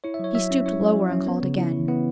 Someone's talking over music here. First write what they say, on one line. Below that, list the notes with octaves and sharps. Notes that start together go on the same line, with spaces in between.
He stooped lower, and called again.
E4 C#5
E5
F#3 C#5
F#3 E5
C#4
E4 C#5
F#3
F#3
C#4
B3
C#3
E4
E3
B3 E4